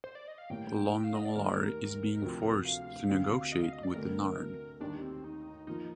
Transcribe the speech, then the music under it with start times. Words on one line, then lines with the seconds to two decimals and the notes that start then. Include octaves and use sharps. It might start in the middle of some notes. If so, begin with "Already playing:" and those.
Londo Mollari is being forced to negotiate with the Narn.
0.04 C5
0.15 D5
0.28 D#5
0.38 F5
0.50 A2 G3 A#3 G5
0.94 G5
1.04 F5
1.15 D#5
1.25 D5
1.36 D#2 D#3 A3 D#4 G4 A#4
2.22 D2 C3 F3 C4
2.65 F5
3.08 D2 D3 G3 C4
3.52 D#5
3.63 F5
3.73 D#5
3.83 D5
3.94 D2 D3 A3 C4 A#4
4.80 D#2 D#3 G3 D4
5.02 C4
5.24 D#4
5.67 F3 A#3 D#4 F4